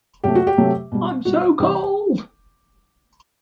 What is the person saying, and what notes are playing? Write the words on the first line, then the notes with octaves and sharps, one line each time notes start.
I'm so cold!
C3 F#3 A3 G4
F#4
G4
C3 F#3 A3
B2 G3
B2 G3 F#4
C3 E3 G3 G4